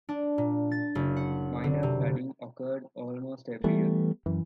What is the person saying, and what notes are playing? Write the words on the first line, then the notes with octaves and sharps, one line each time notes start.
Minor flooding occurred almost every year.
D4
A#2
A6
F#1
F#5
D3
C3
E3 G3 A3 B3
F#2 E3